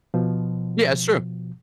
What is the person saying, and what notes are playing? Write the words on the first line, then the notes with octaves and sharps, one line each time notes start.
Yeah, it's true.
B2 F3